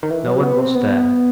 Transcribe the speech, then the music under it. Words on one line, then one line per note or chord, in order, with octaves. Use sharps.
No one was there.
D#3
E3
F#3
B3
C4
B3